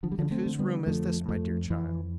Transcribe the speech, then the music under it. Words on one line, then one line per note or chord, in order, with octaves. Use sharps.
"And whose room is this, my dear child?"
D3 F3
G3
D3 F3
A3 C4
D3
G3 B3
F2 F3 A3
F2 F3 A3
F2 E3